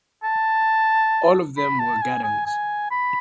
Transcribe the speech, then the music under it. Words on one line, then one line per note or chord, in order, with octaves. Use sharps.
All of them were Gaddangs.
A5
B5
A5
G#5
G#5
G#5
B5